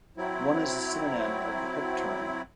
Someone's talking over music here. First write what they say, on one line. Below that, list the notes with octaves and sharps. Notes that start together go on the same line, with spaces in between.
One is a synonym of the Hook Turn.
F#3 C4 E4